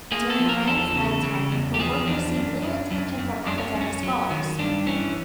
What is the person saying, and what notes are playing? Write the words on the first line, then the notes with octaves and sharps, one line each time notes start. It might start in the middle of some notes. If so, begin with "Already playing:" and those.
During Rand's lifetime her work received little attention from academic scholars.
A#3 G#4
A4
F3
A#4
E2 A4
C#3
C#3
E2
G4
F3 G#4
E2 D4
F#2
F#2
F#2
F#2
F#2 D4
C#4
F#2
C#4
F#3
D#3
G2 D4
E3 C#4